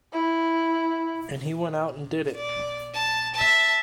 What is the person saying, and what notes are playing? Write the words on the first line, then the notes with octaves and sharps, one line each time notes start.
And he went out and did it.
E4
D5
A5
E5 A5